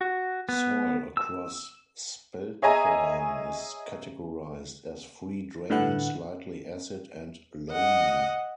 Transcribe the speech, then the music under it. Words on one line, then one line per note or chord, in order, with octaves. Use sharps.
Soil across Spelthorne is categorised as "free draining slightly acid and loamy".
F#4
B3
E6
G#4 C#5 D#5 E5 G#5 A#5
A2 D3 A3 B4 F#5 F#6
D#5 F#5